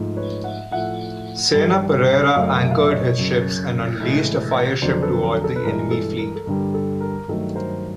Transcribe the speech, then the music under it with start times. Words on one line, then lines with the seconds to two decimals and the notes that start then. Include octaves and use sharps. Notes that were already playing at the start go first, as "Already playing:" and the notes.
Sena Pereira anchored his ships and unleashed a fire ship toward the enemy fleet.
Already playing: G#2 F3 A3
0.17 B4 C#5
0.44 E5 F#5
0.71 A2 F3 A3 E5 F#5
1.54 G2 D#3 G3
2.35 F#2 C#3 F#3 A3 D#5 F5
2.64 E5
2.71 F5
2.78 D5 E5
2.91 C#5 D#5
3.18 F#2 C#3 F#3
4.00 A2 E3 G#3
4.82 F2 D3 F#3 C5 D5
5.02 A4 B4
5.23 A#4
5.44 A4
5.56 B4
5.64 G2 E3 G#3 A#4
5.91 A4
6.18 A#4
6.35 A4
6.46 G2 D3 G3 A#4
6.74 A4
7.01 A#4
7.28 G2 D#3 F#3 A3 A4
7.56 A#4 C5